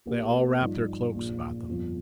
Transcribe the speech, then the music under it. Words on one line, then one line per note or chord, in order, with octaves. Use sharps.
They all wrapped their cloaks about them.
A#1 A#2 A#3 G4
G2 F3 D#4
A#1 A#2 F3
G1 F2 F3